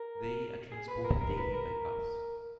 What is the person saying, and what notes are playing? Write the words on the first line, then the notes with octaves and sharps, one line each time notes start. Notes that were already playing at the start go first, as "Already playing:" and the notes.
They are transported daily by bus.
Already playing: A#4
G#4
B4
A#4
A#4
B4
A#4